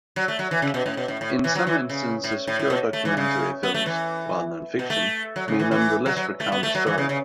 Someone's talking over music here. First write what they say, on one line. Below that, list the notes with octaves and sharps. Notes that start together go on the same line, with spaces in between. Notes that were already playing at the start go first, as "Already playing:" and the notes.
In some instances pure documentary films, while nonfiction, may nonetheless recount a story.
F#3
A3
F#3
E3
C#3
B2
A2
B2
A2
A2
E3
F#3
E3
C#3
A2
A2
A2
B2
A3
E3
C#3
B3
A3
E3
B2
A3
F#3
C#3
E3
E3
F#3
F#3
A3
B3
A3
F#3
E3
C#3
C#3